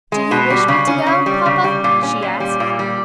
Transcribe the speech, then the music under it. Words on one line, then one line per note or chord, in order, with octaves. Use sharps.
"Do you wish me to go, papa?" she asked.
G#3
B2
G3
C#3
C#4
C#3
G3
C#3
G3
A#2
C#4
A#2
G3
A#2
G3